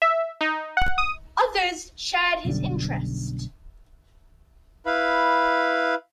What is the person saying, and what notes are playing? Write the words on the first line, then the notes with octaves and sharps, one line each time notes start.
Others shared his interest.
E5
D#4
F#5
D#6
B1 F#2 D3 G3
E4 B4 F5 B5